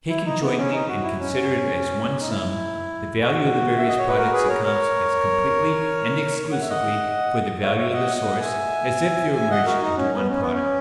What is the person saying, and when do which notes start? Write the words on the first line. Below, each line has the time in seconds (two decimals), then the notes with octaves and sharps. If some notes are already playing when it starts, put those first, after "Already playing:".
Taken jointly and considered as one sum, the value of the various products accounts as completely and exclusively for the value of the source as if they were merged into one product.
0.09 E4
0.26 D#4
0.41 B3
0.57 C#4
0.72 D#4
0.88 F#4
1.03 E4
1.19 C#4
2.20 D#4
2.29 E4
3.23 F#4
3.77 E5
3.88 D#5
3.98 C#5
4.08 B4
4.18 F#4 A#4
4.32 G#4 B4
4.48 A#4 C#5
4.64 A#4 C#5
6.52 F#5
6.61 E5
6.69 D#5 F#5
7.62 C#5 E5
7.77 C#5 E5
7.93 D#5 F#5
8.17 D#5 F#5
8.40 E5 G#5
9.34 E5 G#5
9.51 D#5 F#5
9.66 F#4 A#4
9.81 D#4
9.97 C#4
10.13 B3
10.28 C#4
10.40 B3
10.53 C#4